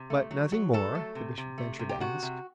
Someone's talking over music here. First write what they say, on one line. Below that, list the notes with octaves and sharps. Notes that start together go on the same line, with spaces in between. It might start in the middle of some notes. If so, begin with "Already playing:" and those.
"But nothing more?" the Bishop ventured to ask.
Already playing: C3
A3
F#3
F#3
F#3 A4
A3
C3
C3
A3
C3
G4
C3 F#4
C3